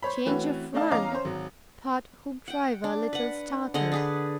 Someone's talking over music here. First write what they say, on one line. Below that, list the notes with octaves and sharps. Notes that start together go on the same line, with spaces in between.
"Change of front," thought Hoopdriver, a little startled.
C5 C#5 B5
E3 A3 C4 C#4 F#4 B4
A3 D4 D#4 D5 F5 A5
E2 C#4 D#5 F5 A#5 D6
C#4 C5
G#1 F#3
F#5 G5
D4
B4 F#5
D3 G#4 D#5 F#5
D4 G#4 B4